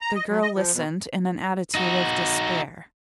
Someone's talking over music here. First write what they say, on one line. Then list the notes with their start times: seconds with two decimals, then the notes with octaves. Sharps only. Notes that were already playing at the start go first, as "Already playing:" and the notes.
The girl listened in an attitude of despair.
0.01 A#5
0.15 D#5
0.29 F#3
0.42 D#5
0.55 F3
0.74 B2
1.75 D#4 F#4